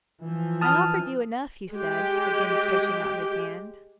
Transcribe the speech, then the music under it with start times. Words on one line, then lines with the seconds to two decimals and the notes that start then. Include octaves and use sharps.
'I offer you enough,' he said, again stretching out his hand.
0.23 E3 F3
0.61 A5 D#6 F6
1.72 G#3 G4